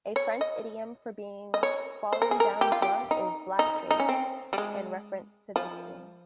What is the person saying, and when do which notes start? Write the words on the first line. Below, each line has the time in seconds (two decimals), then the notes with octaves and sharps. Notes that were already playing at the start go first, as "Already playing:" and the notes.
A French idiom for being falling-down-drunk is "black faced" in reference to this game.
0.16 C#5
0.41 D#5
1.54 D#5
1.63 C#5
2.13 C5
2.22 A#4
2.31 G#4
2.40 A#4
2.61 G4
2.72 F4
2.82 G4
3.11 D#4
3.59 D#4
3.91 D#4
4.00 C#4
4.09 C4
4.53 G3
4.58 G#3
5.56 F3